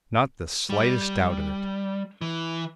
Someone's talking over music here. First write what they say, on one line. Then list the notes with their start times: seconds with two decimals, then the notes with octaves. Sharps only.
"Not the slightest doubt of it."
0.70 G3
2.21 E3